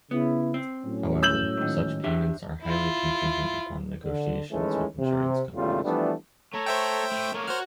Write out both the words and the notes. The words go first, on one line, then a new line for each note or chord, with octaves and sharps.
However, such payments are highly contingent upon negotiations with insurance companies.
C#3 B3 E4
C4
A2 F#3 C#4
F#2 E6 G6 F#7
G#2 D#3
D4 G4 E5
E4 F4
D3
D#3 E3 G#3 A3 C#4 E4
C3
G#1 E2 C#3 G3 A3 F4
E3 F3 G3 A3 B3 D4
A3 A4 C#5 A#5
C5 E5 G5
A2
A3 A#3 A#4 C#5
F#4 C5 F#5 F6